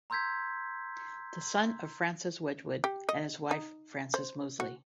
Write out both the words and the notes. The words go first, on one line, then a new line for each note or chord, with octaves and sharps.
The son of Francis Wedgwood and his wife Frances Mosley.
A#5 C6 E6 G6 G#6 B6
G4
D#5
D#4
C5
F#4